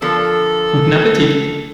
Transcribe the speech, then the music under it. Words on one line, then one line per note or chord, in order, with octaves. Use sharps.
Guten Appetit!
D3 F3 A4 A#4